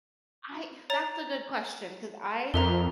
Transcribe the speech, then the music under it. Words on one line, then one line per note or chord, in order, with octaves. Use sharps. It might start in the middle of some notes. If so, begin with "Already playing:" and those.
I that's a good question 'cause I
C#5 A#5 A6
F2 A#4 E5 A#5